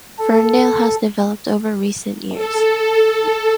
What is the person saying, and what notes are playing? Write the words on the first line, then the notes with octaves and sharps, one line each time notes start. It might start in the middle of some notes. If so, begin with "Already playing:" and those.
Ferndale has developed over recent years.
A4
A4